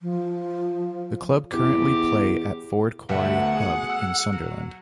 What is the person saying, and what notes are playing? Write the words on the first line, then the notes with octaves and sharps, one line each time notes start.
The club currently play at Ford Quarry Hub in Sunderland.
F3
E2 G4
D2 F#3 A3 B3 E5 F#5
G#4
E6
F#3